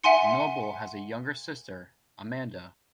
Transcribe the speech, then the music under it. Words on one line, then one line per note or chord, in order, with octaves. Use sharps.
Noble has a younger sister, Amanda.
E5 F#5 G#5 C6 C#7